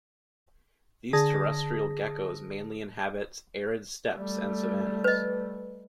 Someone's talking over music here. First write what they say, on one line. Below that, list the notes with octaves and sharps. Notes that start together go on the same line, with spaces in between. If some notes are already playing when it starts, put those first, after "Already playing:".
These terrestrial geckos mainly inhabit arid steppes and savannas.
D3 G#4 A5 D#6 A#6
G3 A3
B4 D#5